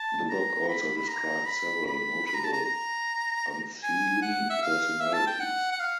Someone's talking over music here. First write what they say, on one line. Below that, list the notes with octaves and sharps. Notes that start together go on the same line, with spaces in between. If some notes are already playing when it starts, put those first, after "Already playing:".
The book also describes several notable Unseelie personalities.
Already playing: A5
A#5
B5
B5
A#5
B5
B5
B5
A#5
A5
A#5
A#5
G#5
F#5
E5
F5
E5
A5
G5
F#5
F#5
F5